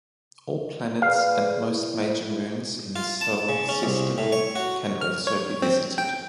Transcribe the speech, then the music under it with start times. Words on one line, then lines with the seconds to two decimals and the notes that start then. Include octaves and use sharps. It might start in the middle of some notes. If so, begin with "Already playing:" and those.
All planets and most major moons in the Sol system can also be visited.
1.02 G#4 B4 D5 F5
1.65 E4
2.96 F4
3.21 A5
3.49 C#3
3.69 C#4
3.83 C2
4.18 A2
4.32 C#5
4.55 F#4
5.01 F6
5.27 C#5
5.62 C4
5.98 G5